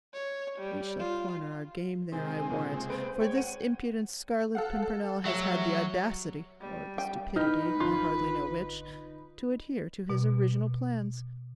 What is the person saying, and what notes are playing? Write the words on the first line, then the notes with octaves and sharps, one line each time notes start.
We shall corner our game there, I'll warrant, for this impudent Scarlet Pimpernel has had the audacity--or the stupidity, I hardly know which--to adhere to his original plans.
C#5
G3
F4
C3 D#3 G#3 C4 G#5
C#2 A#2
B4 C5 D7
G#3 C#5 G5
F#5 D#7
A4 F5 F#5
A4
F1 F#3 E5 E7
G3
G5
D#4 E4 B4 F6 G6
G#1 D3 F4 F#6
B2